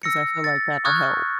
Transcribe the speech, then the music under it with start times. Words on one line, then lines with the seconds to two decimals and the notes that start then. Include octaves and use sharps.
'Cause I feel like that'll help.
0.03 E6 A#6 C#7
0.44 A6
0.85 C#6 D#6 F6 F#6 G#6